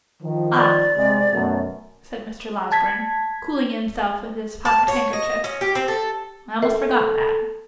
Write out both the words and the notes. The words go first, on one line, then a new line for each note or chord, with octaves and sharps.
'Ah!' said Mr. Losberne, cooling himself with his pocket-handkerchief; 'I almost forgot that.'
D#3 F3
D5
C3 G#3
F#2 B2 A3
A5 G#6 B6
A5
C#5
D#5
C#4
G4
C4
A4
A4 A#4 E5